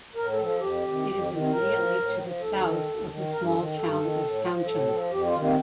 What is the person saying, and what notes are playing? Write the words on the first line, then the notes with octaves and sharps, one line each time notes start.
It is immediately to the south of the small town of Fountain.
A2 A#4
A4
F3
A4
F2 G4
C3
D#3
F2
C3 D#3
A2 A#4
F3
A2
F3
D#2 A4
D#3
D#2
D#3
G2 A#4
A4
D#3
G2 A4
D#3
A2
F3
A2 A4
F3
F2 G4
F4
C3 D#3
A#3